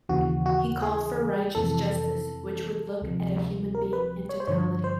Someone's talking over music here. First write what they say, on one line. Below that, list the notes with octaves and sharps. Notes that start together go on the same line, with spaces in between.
He called for "righteous justice" which would look at a human being in totality.
D#2 C#3 E3 F#4
F#4
G#4
F2 C3 E3 A4
D2 C3 F3
A#4
B4
C#5
C5
G2 D3 F3 C#5
C5